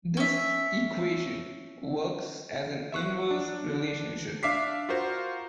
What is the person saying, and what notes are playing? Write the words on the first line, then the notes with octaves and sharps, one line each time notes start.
This equation works as an inverse relationship.
C#4 E5
E5 C#6 F#6
D4
D4 E5 F5 D6 B6 C7
F4 F#4 A#4 C5 F5